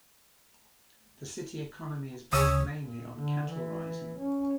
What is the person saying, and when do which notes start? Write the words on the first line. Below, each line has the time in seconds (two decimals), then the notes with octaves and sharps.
The city economy is based mainly on cattle rising.
2.33 D2 C#3 C#5 D#6 E6
2.82 A#2
3.18 D3
3.50 E3
4.19 C#4